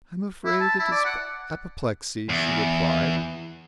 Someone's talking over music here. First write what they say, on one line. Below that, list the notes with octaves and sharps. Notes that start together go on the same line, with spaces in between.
"I'm afraid it is apoplexy," she replied.
E4
A5
E4
D5
F#5
E2